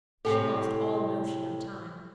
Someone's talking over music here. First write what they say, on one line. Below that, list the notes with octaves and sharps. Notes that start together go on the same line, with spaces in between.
She lost all notion of time.
A2 C3 G4 A4 G#5